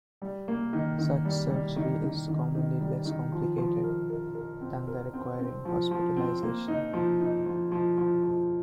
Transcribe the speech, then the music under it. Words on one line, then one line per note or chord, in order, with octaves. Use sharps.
Such surgery is commonly less complicated than that requiring hospitalization.
G3
A#3
D#3
D#3
G3
G3
D#3
D#3
D#3
D#3
G3
D#3
F3
F3
A#4
A#4
A#4
C4
A#4
C4
C4
F3
F3
C4
A#3
D#4
F3
D#4
F3
F3
F3
F3